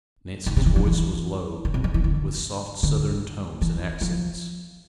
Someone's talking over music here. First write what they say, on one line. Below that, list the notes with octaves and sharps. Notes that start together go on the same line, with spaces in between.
Nancy's voice was low, with soft, southern tones and accents.
D3
C3
E3
F3
E3
D3
C3
E3
E3
D3
D3
E3
F3